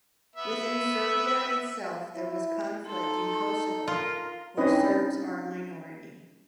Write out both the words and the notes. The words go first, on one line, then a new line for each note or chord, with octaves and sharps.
Within Serbia itself there was conflict in Kosovo, where Serbs are a minority.
B3 E5
E4
D#4 A4 C6
F4 A#4
C4 C#4 D#4 E4 B4 D#5